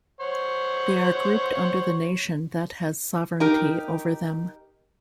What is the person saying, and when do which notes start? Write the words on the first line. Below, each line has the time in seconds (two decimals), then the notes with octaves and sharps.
They are grouped under the nation that has sovereignty over them.
0.21 C5 C#5 F#5
3.40 D#4 G4 A#4